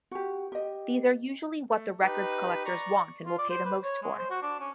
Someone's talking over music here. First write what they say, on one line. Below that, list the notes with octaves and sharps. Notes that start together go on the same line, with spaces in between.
These are usually what the records collectors want and will pay the most for.
F#4 G4
G4 D#5
A3
D#4 G4 B4
D5 A#5 C#6
F4
D5
C5
B4
C#5
G#3
C5
F#4
D4
C#4